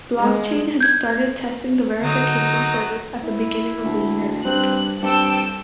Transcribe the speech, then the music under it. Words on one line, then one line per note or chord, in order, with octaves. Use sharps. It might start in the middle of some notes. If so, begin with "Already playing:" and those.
Blockchain had started testing the verification service at the beginning of the year.
G#3
G6 G#6
D3 F#3 D#4
E4
D2
G2 C4 F#6
G2 C4 A4 G5 E6